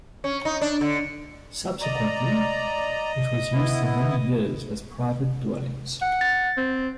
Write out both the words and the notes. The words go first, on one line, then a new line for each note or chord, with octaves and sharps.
Subsequently, it was used for many years as private dwellings.
C#4
D#4
D4
D3
D5 D#5 A#5
B3 E4
F#5
A6
C4